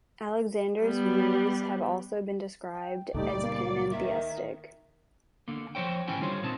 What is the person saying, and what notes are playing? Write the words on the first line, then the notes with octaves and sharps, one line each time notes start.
Alexander's views have also been described as panentheistic.
G3 B3
G5
C#2 A#2 G3 A3 D#4 G4 D5
A#3 F5
D#3 E5
D3 A#3
F3 G3 C5 C#5 G5
A2 D#3 C#4 E4 G5 G#5
D3 G3 F4 C5 C#5
A#2 C4 D#4 A5